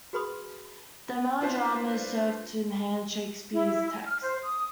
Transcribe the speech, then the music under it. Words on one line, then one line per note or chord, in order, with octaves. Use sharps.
The melodramas served to enhance Shakespeare's text.
F#4 G#4 B4 B5 C6 D#6
D4 E4 F4 B4 C5
E4
G#5
F6
C5
D#6